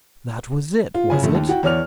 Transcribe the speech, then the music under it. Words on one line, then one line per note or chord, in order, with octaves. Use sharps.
That was it, was it?
F4
F#1 C#3 G#5
A#1 A3
D#2
E4 F#4 G5
E2 C#5 D5 F6 F7